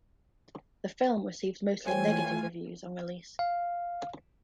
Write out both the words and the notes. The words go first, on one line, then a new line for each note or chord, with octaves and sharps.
The film received mostly negative reviews on release.
E3 A3 F4 C5 C#5 G5 G#5
F5